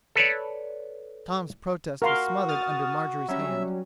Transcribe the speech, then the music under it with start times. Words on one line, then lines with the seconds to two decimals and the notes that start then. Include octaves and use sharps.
Tom's protest was smothered under Marjorie's hand.
0.16 A4 B4 C#5 D5
2.02 F#4 A#4 F5 C6
2.49 D#6 F6 A6
3.29 F#3 G3 C#4 E5